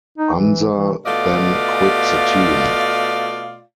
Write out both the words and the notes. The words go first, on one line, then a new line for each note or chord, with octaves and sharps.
Unser then quit the team.
D#4
E3
E3
B2 A3 F4 D5 D#5 F5